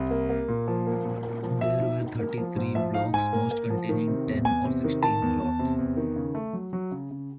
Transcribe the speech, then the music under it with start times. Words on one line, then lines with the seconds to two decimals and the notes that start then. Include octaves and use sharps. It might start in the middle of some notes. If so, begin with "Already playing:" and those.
There were thirty-three blocks, most containing ten or sixteen lots.
Already playing: C2
0.10 A#3
0.29 A#3
0.49 A#2
0.68 F3
0.87 A#3
1.05 A#2
1.24 A#3
1.43 F3
1.61 F3 E5
1.81 D#4
2.00 D#4
2.19 A#3
2.38 F3
2.56 G#2
2.75 F3 E5
2.94 D#4 F5
3.14 G#2 G#5
3.33 A#3
3.51 A#3
3.70 F3
3.89 D#3
4.08 C3
4.27 E2
4.45 E2 G#5
4.64 C3
4.84 D#3
5.03 D#3 A5
5.22 E2
5.40 E2
5.59 C3
5.79 E2
5.97 D#3
6.16 C#3
6.35 A3
6.53 F#3
6.73 F#3
6.92 C#3
7.11 C#3